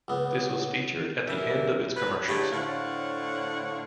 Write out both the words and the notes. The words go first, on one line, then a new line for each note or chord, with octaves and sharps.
This was featured at the end of its commercials.
C#2 B3
F#2 C#3 E3 G3 A#4 E5
B4
A2 D3 A#3 E4 G4 G#4
A2 D3 C5 C#5 F5 F#5